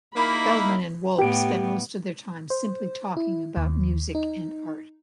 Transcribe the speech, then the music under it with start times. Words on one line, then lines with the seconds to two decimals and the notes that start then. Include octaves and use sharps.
Feldman and Wolpe spent most of their time simply talking about music and art.
0.16 A#3 D#4 E4 B5
1.18 A2 B3 G4 D7
2.50 C5
3.17 E4
3.57 D#2
4.15 D#4